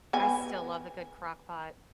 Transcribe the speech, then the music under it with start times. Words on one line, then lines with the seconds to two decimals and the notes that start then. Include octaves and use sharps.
I still love a good crock pot.
0.13 B3 G#5